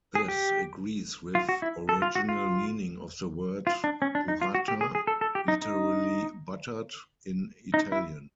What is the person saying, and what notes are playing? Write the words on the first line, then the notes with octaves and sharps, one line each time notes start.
This agrees with original meaning of the word "burrata", literally "buttered" in Italian.
G#4
G4
F4
F#4
E4
A4
F4
F#4
F4
F4
D4
C#4
D4
D#4
F4
F#4
G4
G#4
G#4
A4
A4
G4
D#4
D#4
D#4
E4